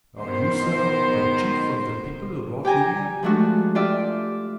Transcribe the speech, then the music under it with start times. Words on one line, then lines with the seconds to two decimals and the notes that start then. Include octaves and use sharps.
"Are you, sir, the chief of the people who brought me here?"
0.19 B2 D#3 C5
2.65 G4 G5 G#5 A#5
3.23 F3 G#3 A3 D4 F#4
3.75 F4 G4 D5 E5